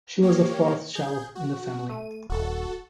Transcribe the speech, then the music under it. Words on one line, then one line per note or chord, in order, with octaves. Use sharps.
She was the fourth child in the family.
A#3 G4 C#5
G#4 G6
F#4
A3 D#7
D#1 F#4 A4